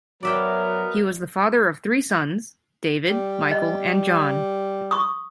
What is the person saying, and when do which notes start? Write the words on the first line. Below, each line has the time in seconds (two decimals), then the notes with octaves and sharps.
He was the father of three sons, David, Michael, and John.
0.23 F#3 B3 A#4 D5 E5 G5
3.07 G3
3.51 D#5
4.91 C#6 D#6